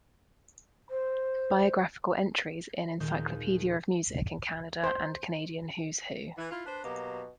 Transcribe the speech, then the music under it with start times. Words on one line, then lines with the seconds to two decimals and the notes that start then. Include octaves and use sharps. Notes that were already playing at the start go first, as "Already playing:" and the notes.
Biographical entries in Encyclopaedia of Music in Canada and Canadian Who's Who.
0.90 C5
3.00 D#2 A#2 D#3 G#3 G6
4.84 C5
6.37 E3
6.51 E4 F4
6.66 D4 B4 C5
6.84 B2 F#3 A#3 G4